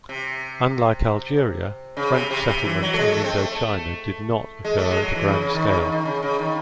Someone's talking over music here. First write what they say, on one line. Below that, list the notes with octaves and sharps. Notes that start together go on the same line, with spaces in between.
Unlike Algeria, French settlement in Indochina did not occur at a grand scale.
C3
C#3
C3
C3
C3
E3
F#3
A3
G#3
A3
C4
A3
G#3
A3
G#3
F#3
E3
C#3
C#3
D#3
C#3
D#3
D#3
C#3
C#3
D#3